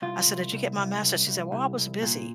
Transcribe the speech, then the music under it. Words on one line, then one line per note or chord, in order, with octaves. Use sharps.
I said, "Did you get my message?" She said, "Well, I was busy."
C2 F4
C2
C2
C2
C2
C2
C2
C2
A#2